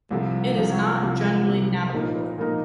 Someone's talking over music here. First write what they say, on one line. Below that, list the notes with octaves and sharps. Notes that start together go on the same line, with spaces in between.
It is not generally navigable.
C2 C3 F3
C2 C3 F3
C2 C3 F3
C2 C3 F3
A#2 F3 A#3 D#4 A#4
A#2 F3 A#3 D#4 A#4